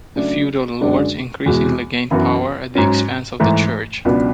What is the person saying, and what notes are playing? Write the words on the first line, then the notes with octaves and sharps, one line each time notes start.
The feudal lords increasingly gained power at the expense of the church.
C#3 F#3 A3 D4 F#4
F#2 D3 G#3 D4 F#4
E2 B2 G#3
F#2 E3 B3 F#4
G#2 F#3 C#4
G#2 E3 A3
C#2 B2 F#3 B3 D4